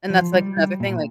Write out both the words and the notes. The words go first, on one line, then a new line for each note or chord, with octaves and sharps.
And that's, like, another thing, like,
F3
G3
G3
A#2